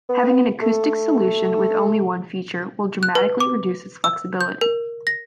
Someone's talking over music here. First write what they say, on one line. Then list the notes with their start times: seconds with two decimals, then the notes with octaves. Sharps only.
Having an acoustic solution with only one feature will dramatically reduce its flexibility.
0.09 B3
0.62 A3
3.03 F#6
3.15 B4
3.40 D6
4.04 E6
4.41 G6
4.61 A#4
5.07 A#6